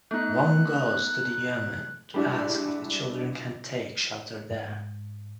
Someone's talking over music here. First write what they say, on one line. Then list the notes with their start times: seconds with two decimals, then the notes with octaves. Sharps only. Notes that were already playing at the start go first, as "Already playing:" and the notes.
Wong goes to the yamen to ask if the children can take shelter there.
0.11 A3 B3 D#4 F#6
2.14 G3 G#3 D4 E4 F#4
4.50 G#2